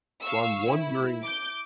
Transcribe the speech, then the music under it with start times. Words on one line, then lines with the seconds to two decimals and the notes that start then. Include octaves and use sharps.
So, I'm wondering
0.23 F5 C#6 E6
0.70 E4
1.24 D6 G6